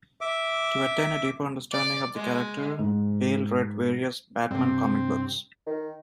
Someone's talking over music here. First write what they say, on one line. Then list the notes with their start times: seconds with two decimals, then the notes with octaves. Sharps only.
To attain a deeper understanding of the character, Bale read various Batman comic books.
0.21 E5 D6
1.72 D5
2.15 G#3
2.79 G#2
4.51 G2 C3 C4
5.67 D#3